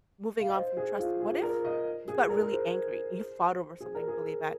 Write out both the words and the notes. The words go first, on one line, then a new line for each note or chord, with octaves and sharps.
moving on from trust, what if you got really angry? You fought over something really bad.
F5
D#5
C5
G#4
F4
G#4
A#4
D#5
G#4
G#4
A#4
A#4
C5
G#4
A#4
G#4